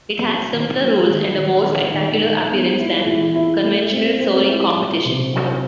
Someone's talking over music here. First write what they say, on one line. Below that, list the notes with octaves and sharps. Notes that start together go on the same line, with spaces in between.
It has simpler rules and a more spectacular appearance than conventional soaring competitions.
F#3
D#3
F#3
D#3
D#3
D#3
D#3
D#3
B3
E4
E3
E4
A3
C4
C4
E4
F#3
C3
F#3